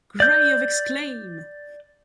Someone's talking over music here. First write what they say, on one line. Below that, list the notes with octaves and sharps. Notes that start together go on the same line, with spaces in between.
Gray of Exclaim!
D5 G6